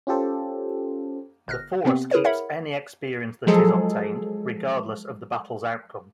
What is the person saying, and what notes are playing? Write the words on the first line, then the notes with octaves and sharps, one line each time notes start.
The Force keeps any experience that is obtained, regardless of the battle's outcome.
C#4 F4 G4 A4 C5
G1 F6 F#6 A#6
C3 B3 C4
E4 G#4 A#4 B4 C#5
A#4 C#5 E5 F#5 B5
F3 F#3 G#3 G#4 A4